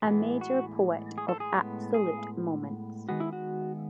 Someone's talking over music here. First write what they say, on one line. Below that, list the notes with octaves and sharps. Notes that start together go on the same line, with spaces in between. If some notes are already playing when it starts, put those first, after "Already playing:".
A major poet of absolute moments.
A2 E3 G#3 B3
F#4
G#4
A4
G#4
A2 G#3 B3
G#4
D#3 G#3 B3 F#4
E4
F#4